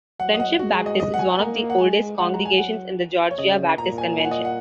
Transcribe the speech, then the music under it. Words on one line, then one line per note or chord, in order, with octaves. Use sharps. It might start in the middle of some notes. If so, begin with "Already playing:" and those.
Friendship Baptist is one of the oldest congregations in the Georgia Baptist Convention.
F#3 F#5
D#5
F#5
G#3 F#4
G#4
D#5
D#5
F#5
G#5
A#3 A#5
F#5
G#3 G#5
G#3 F#5
A#5
G#5
F#3 F#5
C#5
C#3 D#5
A#2 A#5
G#5
G#5
F#5
D#5
F#5